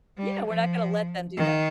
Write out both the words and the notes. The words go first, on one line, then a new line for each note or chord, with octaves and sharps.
Yeah, we're not gonna let them do that.
G3
F3
D#3